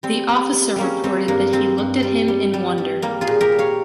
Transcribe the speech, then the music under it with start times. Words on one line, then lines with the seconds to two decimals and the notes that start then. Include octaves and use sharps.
The officer reported that he looked at him in wonder.
0.03 G3 C4
0.29 G3
0.53 G3
0.76 G3 A#3 C#4
1.04 G3 C4
1.28 G2 A#3
1.53 G3 C4
1.78 G2
2.03 G3
2.28 G3
2.54 G3
2.78 G3
3.02 G3 A#3
3.21 F4 G#4
3.28 A#2
3.41 G4 A#4
3.52 G3
3.59 C#5 F5